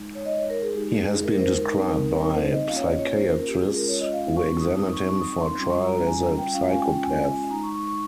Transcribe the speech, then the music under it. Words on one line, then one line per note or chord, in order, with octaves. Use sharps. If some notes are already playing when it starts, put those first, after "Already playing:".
He has been described by psychiatrists who examined him for trial as a psychopath.
Already playing: G#3 D#4
C#5
D#5
C#5
A#4
G#4
G#3 D#4 G4
G#4
A#4
A#4
C5
A#4
G3 C4 D#4
A#4
C5
D#5
A#3 C#4 F4 F5
C#5
D#5
C#5
C5
A#4
G4
G#3 C#4 F4 G#4
A#4
C#5
D#5
F5
C#6
G3 C4 D#4 D#6
D#6
C#6
C#6
D#6
C#6
C6
G3 C#4 F4 C6
C#6
A#5
A#5
G#5
A#5
G5
G#3 C#4 F4 F5
G#5
G5
G#5
G#3 D#4 A#5
C#6
C#6
C#6